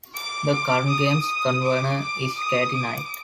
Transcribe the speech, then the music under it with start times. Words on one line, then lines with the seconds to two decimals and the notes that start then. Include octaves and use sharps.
The current Games Convener is Katie Knight.
0.14 D6
0.52 D6
0.89 D#6
1.26 D#6
1.63 D6
2.00 D6
2.38 D#6
2.74 D6